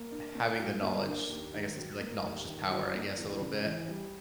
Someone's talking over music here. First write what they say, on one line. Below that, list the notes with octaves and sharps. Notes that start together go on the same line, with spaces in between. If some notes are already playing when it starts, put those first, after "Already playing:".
having the knowledge, I guess is, like, knowledge is power, I guess, a little bit,
Already playing: A#3
D4
A#2
F#3
A#3
D4
D#2
D#3
F#3
A#3
D#2
D#3
F#3
A#3
E2
C#3
E3
G3